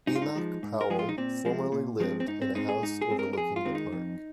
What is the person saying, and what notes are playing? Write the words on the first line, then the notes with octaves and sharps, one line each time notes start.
Enoch Powell formerly lived in a house overlooking the park.
G#2 D#4
F4
D#4
F3 G#3
G#2
A#4
F3 G#3 G#4
F4
D#4
A#2 C4
F3 G#3 C4
A#2
F3 G#3 C4
C4
G#2 D#4
C4
G#3 C4 D#4
G#4
G#2 D#4
G#4
G#3 C4
A#4
A#4
F2 G#4
F4
D#3 G#3 C4
D#4
F2